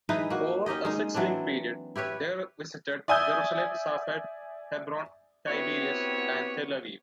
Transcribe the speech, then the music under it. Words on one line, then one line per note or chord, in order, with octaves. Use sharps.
Over a six-week period, they visited Jerusalem, Safed, Hebron, Tiberias and Tel Aviv.
E3 G#3 D#4 B4
A#3 F#4
C#4 D#4 G4 D#5
G#3 D#4
E3 F#3 C4 D4
E4 G4 B4 C#5
D5 E5 G#5 D#6 E6 G6
B3 C4 E4 F#4 G4 C#5